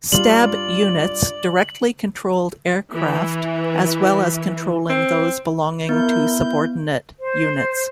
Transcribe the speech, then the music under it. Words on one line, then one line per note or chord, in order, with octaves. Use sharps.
"Stab" units directly controlled aircraft as well as controlling those belonging to subordinate units.
G2 G3 F4 D5 F#7
E3
C4
B3 E4 A#4 G6
C5